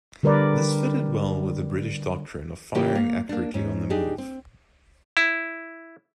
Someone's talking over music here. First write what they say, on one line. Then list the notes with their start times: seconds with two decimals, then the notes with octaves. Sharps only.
This fitted well with the British doctrine of firing accurately on the move.
0.23 D3 G3 A#4 B4 D5
2.75 C#3 E3 A#3 F4 G4 G5
2.95 A#3
3.29 A#3 D4
3.54 G#2 C#4
3.90 D4 D#4 G4 G#4
4.18 C4
5.17 E4